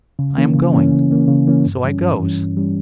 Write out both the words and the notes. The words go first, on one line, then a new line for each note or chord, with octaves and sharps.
I am going.' So I goes.
C#3
E3 A#3 C#4
C#3
E3 A#3 C#4
C#3
E3 A#3 C#4
C#3
E3 A#3 C#4
G2
E3 G3 C#4
G2
E3 G3 C#4
G2
E3 G3 C#4